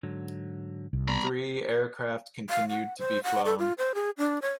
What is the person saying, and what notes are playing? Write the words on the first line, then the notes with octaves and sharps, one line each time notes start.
Three aircraft continued to be flown.
G#2 D3 F#3
C2
G3 B3 D5 A#5 B5
F5
F#5
C5
F#5
A4
F4
C5
G#4
D4
C#5